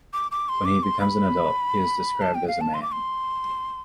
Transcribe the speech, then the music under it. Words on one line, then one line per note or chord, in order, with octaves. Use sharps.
When he becomes an adult, he is described as a man.
D6
D6
C6
D6
C6
B5
A5
G5
F5
A5
C6
D6
C6